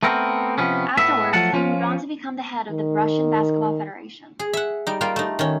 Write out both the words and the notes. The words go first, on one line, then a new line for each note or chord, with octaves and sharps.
Afterwards, he moved on to become the head of the Russian Basketball Federation.
A3 B3 C4 A#4
C3 F3 B3 C#4
A2 B3 E5
F3 F#3 A3 F#5 A5
F3 C#4 F4 C#5
D#3
G#4
E5 F#5
G3 D#4
G3 A#3 F4 G5
A3 D#4
D#3 C#4